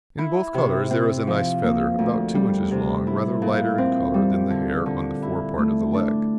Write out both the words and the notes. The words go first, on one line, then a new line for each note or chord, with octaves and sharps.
In both colours there is a nice feather, about two inches long, rather lighter in colour than the hair on the fore-part of the leg.
E4
C3
C4
F3
A#3
D2
G3
C3
E4
A#2
C4
G3
D3
D3
E4
A3
D4